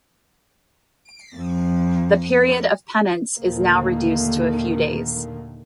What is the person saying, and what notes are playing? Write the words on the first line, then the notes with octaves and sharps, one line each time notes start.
The period of penance is now reduced to a few days.
F2
D#2 A#2 D3 D#3 A3 A#3